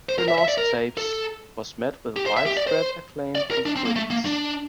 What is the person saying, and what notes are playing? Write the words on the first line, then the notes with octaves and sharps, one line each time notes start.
"The Lost Tapes" was met with widespread acclaim from critics.
C5
A#4
E5
E5
D5
A#4
A4
G4
C5
E5
G4
D5
C5
D5
A#4
D4
C4
A#3
A3
A#3
D4